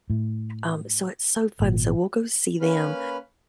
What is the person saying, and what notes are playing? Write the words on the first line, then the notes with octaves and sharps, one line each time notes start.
Um, so it's so fun, so we'll go see them,
A2
G#1 A#2
A#3 C#4 B4 B5 F6